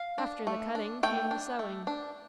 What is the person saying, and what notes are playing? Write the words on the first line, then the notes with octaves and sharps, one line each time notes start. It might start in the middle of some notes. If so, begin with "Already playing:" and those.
After the cutting came the sewing.
Already playing: F5
D4
A3
D4
A3 G5
D4
A3
D4